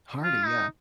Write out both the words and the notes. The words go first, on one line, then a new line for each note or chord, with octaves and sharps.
Hardy, yeah.
F4
D#4